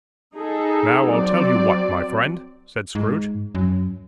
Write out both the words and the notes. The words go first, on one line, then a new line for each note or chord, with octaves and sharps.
'Now, I'll tell you what, my friend,' said Scrooge.
D#4 G#4 A4
F#3 C4 D5
G#2
F#2